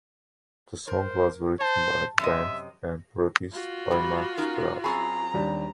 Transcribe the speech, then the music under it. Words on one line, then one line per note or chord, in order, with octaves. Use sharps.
The song was written by the band and produced by Markus Dravs.
A#4 C5
C5 A5
F#2 C3 D#5 E5
F4 F#4
F#2 G3
C#4 D#4 A#4
F#2 C4 G#4 A#5 B5 C#6 A6
D#2 G3 D4